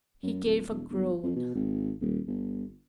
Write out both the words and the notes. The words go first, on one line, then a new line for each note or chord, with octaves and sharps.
He gave a groan.
F#2
D1
E1
G1
F2
B2
G#1
D#1
G1